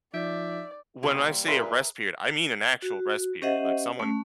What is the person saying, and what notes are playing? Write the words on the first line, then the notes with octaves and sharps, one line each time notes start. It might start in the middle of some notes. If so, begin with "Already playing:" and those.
when I say a rest period, I mean an actual rest period, like, someone
F3 D#4 D5 E5 G6 D7
C3 G3 A#3 C4 E4
A#2 G#4 A#4 B4 E5 C6
F#4
C#4 G4 C5 D#5 E5 F#5
A3 C#4